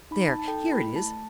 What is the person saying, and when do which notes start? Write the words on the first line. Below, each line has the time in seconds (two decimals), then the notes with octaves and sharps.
There, here it is.
0.11 D#4 B5
0.29 D#4 A5
0.39 A5
0.48 A4 G5
0.65 E4
0.72 B5
0.84 A3
0.96 A5
1.02 A3